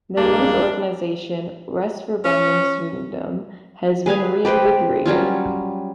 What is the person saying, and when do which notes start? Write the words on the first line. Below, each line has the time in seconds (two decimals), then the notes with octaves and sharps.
Their youth organization Retsforbundets Ungdom has been reinvigorated.
0.17 A#1 G2 G#3 A#3 D4
2.25 C#4
4.06 G#4 B4 F5 G#5
4.45 G4 B4 C5 G5
5.05 F#3 G3 C#4 F4